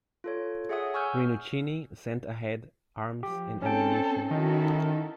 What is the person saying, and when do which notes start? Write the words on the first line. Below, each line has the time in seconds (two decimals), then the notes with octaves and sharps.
Rinuccini sent ahead arms and ammunition.
0.24 F4 A4 C#5
0.69 G#4 C#5 E5 F#5 D#6
0.94 G#5 C#6 E6 F6 G6
3.23 F3 G4
3.62 C4 C#4 A4 G5
4.31 D#3 D#4 E4 F#4 A4